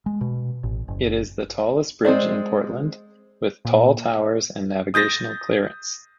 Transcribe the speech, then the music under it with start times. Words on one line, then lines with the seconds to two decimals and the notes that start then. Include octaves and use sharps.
It is the tallest bridge in Portland, with tall towers and a navigational clearance.
0.06 G#3
0.21 B2
0.64 A1
0.88 F#1
2.05 G#3 C4 C5 D5
3.65 A#2
4.94 D#6 G6 A6 A#6